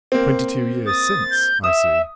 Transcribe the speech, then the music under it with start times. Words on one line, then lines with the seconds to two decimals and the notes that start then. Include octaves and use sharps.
"Twenty-two years since, I see."
0.12 A#3 C4
0.86 D#6 A6
1.30 G6
1.64 E5 D#6 E7